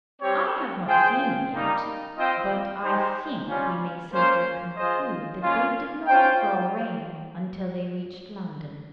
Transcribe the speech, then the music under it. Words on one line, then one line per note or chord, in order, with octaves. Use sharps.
I have not seen them yet, but I think we may safely conclude that they did not draw rein until they reached London.
G3 C4 G4 C#5
F4 G#4 C5 G5
G3 A#3 D#4
C4 F4 C5 D#5 G5
G#3 D#4 G4 C5 G5
G3 C#4 F4
A#3 C#4 F4 C5
F4 G#4 C5 D#5
A#3 C#4 F4
C#4 F4 C5 G5